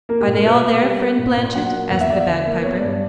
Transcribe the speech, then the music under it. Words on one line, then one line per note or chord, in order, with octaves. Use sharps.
'Are they all there, friend Blanchet?' asked the bagpiper.
A#3 A#4
G4
A#2
A#4
B2 B4
B2
G3
A#3
A#2
A#2
F#3 F#5
F#5
A#3
E2 F#5
E5
E2 D5
E5
D3
A#3
B3 C#5
D5
G2
D5